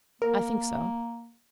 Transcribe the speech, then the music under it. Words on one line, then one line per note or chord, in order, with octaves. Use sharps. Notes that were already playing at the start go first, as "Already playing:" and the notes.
"I think so."
A#3 A#4